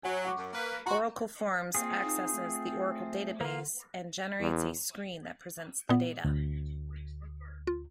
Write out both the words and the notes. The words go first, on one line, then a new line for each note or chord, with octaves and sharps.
Oracle Forms accesses the Oracle database and generates a screen that presents the data.
F#3 C#5 G#5
F#5 C#6 D6
F#2
A#3 B4
F#4 A#5 C6
A#3 C4 F4 G#4
D#4
A3
D3 A#3 F4
E2
A#2 B3
D2
F4